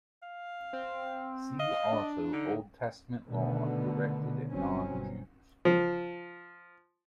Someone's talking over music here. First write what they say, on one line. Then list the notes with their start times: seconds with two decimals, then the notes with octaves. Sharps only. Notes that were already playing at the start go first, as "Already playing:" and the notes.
See also Old Testament Law directed at non-Jews.
0.22 F5
0.73 C4
1.59 D#5 F5
1.92 D4
2.33 D3 D#4
3.26 B2 D3 D#3 A3 B3
4.49 G1 B2 F#3 C4 C#4
5.65 F3